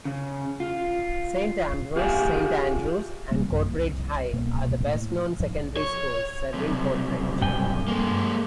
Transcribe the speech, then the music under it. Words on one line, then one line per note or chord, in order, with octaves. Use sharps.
Saint Ambrose, Saint Andrew's and Coatbridge High are the best-known secondary schools serving Coatbridge.
C#3
F4
F4 G4 G#4 C#5 E5 F5
G#1 C3 G3 A#3
A1 F#2 F3
C2
C2 B2 A#3 B3
A2
B1 G#2 F3
C#5
B1 C3
G2 G5 G#5
G#3 A#3